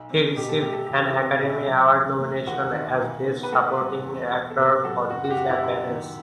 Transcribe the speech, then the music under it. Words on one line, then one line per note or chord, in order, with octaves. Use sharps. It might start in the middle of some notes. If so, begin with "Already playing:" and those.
He received an Academy Award-nomination as Best Supporting Actor for this appearance.
Already playing: B1
C4
B2 G4
A4
A3 G4
A4
E2 G4
A4
E4 G4
C4
B2 E4
F#3
E1
A3
D#2 F#4
D#3
B1
B3
B4
A2 F#4 A4
G3
E2
B3
A4
C3 G4 B4
F#3 F#4 A4
F#1 F#4
F#4
G4
F#1 F#4
E4 G4
F#2
D#3